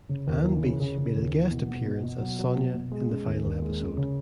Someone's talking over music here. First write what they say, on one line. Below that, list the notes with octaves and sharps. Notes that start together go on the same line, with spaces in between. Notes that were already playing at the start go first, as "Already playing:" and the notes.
Ann Beach made a guest appearance as Sonia in the final episode.
C#3
D#2
E3
C#3
C#3
C#3
D#2
E3
B2
B3
B2
B2
F#3
F#3
B2
B2
G#3
C#4
D#2
D#2
G#3
C#4
C#3